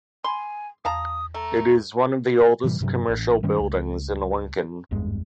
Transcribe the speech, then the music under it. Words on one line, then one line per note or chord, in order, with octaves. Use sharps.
It is "one of the oldest commercial buildings" in Lincoln.
G#5 B5 C6
E2 F5 A5 A#5 D#6
A3 A#5
A2 C3 E3 G3
G2 C3 F#3
A1
G2 D#3 G3 C#4
C#2
G#1 E2 G2 G#3